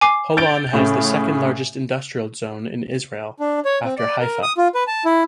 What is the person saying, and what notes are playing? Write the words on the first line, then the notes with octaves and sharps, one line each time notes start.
Holon has the second-largest industrial zone in Israel, after Haifa.
G#5 D6 C7
G6 A6 D7
A2 C#3
D4
C#5
C4
D5
A#4
D#6
F4
B4
A5
E4